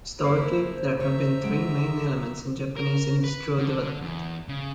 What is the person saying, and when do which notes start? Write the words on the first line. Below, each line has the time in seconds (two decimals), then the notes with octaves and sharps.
Historically, there have been three main elements in Japanese industrial development.
0.23 F#1 E4 A#4 C5 B5 C7
1.00 C#5 E5 A#5
1.43 F#3 G#3 D7
2.77 A#4
3.24 B4
3.59 D3
4.01 E2
4.48 C#3